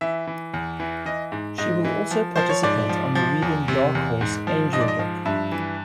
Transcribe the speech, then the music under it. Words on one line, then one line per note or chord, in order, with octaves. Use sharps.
She will also participate on the Whedon-Dark Horse "Angel" book.
E3 E5
E3
E2
E3
E3 D#5
G#2
G#2 D#5
E3
F3
F3 C5
C#5
G#2 D5
F3
F3
E2
C3
E2
G#2
F3
G#2 D#5
D5
D#5
F3
G2 E5
E3